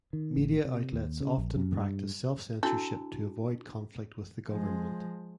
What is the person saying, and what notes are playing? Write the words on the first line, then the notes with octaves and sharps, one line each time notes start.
Media outlets often practice self-censorship to avoid conflict with the government.
D#3
A1
C3
D#2
C#3
A#1
F#2
G2
D4 E4 F#4 A4
F3 G#3